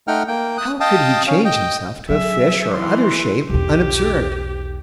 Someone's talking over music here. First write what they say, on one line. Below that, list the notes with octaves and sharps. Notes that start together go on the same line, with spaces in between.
How could he change himself to a fish or other shape, unobserved?
A3 D#4 F#5 G5 F6
A#3 G5
D#6 F#6
D#5 F5 G5 A5 D#6
C#4 F5
D#5 G5
F#3 G#4 E5
E3 C6
B1 E2 G4